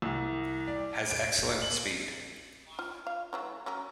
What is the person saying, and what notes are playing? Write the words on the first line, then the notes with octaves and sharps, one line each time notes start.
Has excellent speed.
C2
D5
D7
F#7
F4
F5
E3 F#3 A3
F#3 C#4 A#4